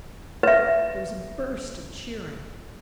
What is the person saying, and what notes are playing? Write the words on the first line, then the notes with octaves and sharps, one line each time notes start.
There was a burst of cheering.
B4 E5